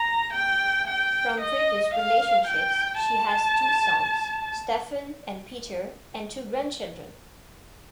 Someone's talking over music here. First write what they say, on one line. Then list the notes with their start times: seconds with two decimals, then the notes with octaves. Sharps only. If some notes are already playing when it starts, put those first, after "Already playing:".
From previous relationships, she has two sons, Stephen and Peter, and two grandchildren.
Already playing: A#5
0.33 G5
0.87 G5
1.41 D#5
1.94 F5
2.48 G5
3.01 A5